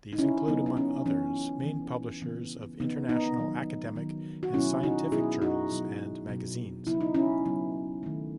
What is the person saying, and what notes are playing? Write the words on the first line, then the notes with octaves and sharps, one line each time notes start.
These include, among others, main publishers of international academic and scientific journals and magazines.
D#4
C#4 E4
C#3 F#3 B3 D#4
D#4
C#4
E3 B3 C#4
E3 B3
C#3 E3 B3
C#3 E3 B3 D#4
B3 D#4
D#3 F#3 B3
D#3 F#3 B3
F#4
B2 F#3 B3 C#4 E4
D#4 F#4
B2 F#3 B3 E4 G#4
D#4 F#4
B2 F#3 B3
B2 F#3 B3
C#3 F#3 B3 E4
D#4
C#4 E4
C#3 F#3 B3
D#3 A3